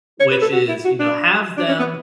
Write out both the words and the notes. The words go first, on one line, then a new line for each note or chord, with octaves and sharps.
which is, you know, have them
C#5
B4
A4
F#4
E4
F#4
D4
D4
C#4
B3